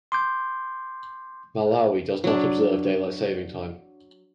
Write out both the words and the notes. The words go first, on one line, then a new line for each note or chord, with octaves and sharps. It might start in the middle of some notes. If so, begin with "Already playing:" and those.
Malawi does not observe daylight saving time.
C6 D6 G6
F#3 D4